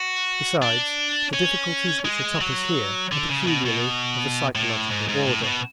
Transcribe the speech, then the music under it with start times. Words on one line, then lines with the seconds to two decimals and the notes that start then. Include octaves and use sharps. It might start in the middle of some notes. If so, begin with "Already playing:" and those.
Besides, the difficulties which atop us here are peculiarly of a psychological order.
Already playing: F#4
0.62 D4
1.33 C#4
2.05 G#3
2.41 F#3
3.12 D3
3.29 C#3
3.47 B2
3.65 B2
4.55 A2
4.90 G#2
5.09 G#2
5.25 A2
5.43 B2